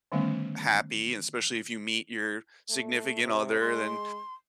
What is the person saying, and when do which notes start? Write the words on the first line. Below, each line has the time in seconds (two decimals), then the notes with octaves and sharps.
happy, especially if you meet your significant other, then
0.12 D3 D#3 G3 A3 B3 C#4
2.70 A3
3.23 C3
3.61 G#3 C6